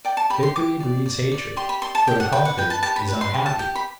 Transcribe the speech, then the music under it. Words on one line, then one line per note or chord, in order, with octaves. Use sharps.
Victory breeds hatred, for the conquered is unhappy.
D5 G5
A5
G4 B5
C6
G4 D6
D5
D5
D5
G4 C6
B5
D5 C6
A5
G4 G5
F#5
B4 G5
F#5
B4 G5
A5
G4 A5
B5
B4
C6
G4 C6
A5
G4 G5
B5